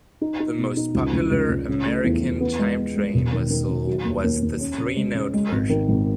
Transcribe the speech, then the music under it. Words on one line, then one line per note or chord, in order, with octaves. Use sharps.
The most popular American chime train whistle was the three-note version.
D#4
D#4
B2
D#4
C#2
C#2
C#2
C#2
C#3
A3
E2
E2
B3
G#3
B3
G#3
E1
D#3
D#3
D#3
F#3
D#2
D#2
D#2
C#4
C#3
G#3
C#3
G#3
G#1
D#3
G#1